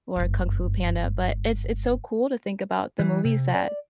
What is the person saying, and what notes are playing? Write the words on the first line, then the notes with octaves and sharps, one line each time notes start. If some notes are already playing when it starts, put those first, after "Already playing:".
or Kung Fu Panda, but it's it's so cool to think about the movies that
F#1 G2
E3
C3
D5